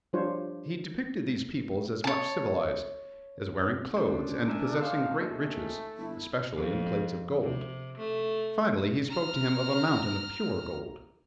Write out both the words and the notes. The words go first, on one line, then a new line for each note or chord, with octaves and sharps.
He depicted these people as much civilized, as wearing clothes, and possessing great riches, especially in plates of gold; finally, he spoke to him of a mountain of pure gold.
F3 G3 D4 F4 C5 C#5
C#5 A5
C#2 C#3 D4 C5
A#4 E5 G#5
D#4 G#4 C5 F5
D#2 A3
G1 E4
F2
C3
A3
A#5 F6